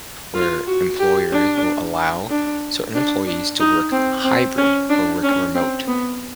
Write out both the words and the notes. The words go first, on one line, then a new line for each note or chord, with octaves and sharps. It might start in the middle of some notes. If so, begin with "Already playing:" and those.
where employers will allow certain employees to work hybrid or work remote.
F4
F#4
G4
D4
D4
D4
D4
D#4
C4
C4
C#4
D4
C#4
C4
B3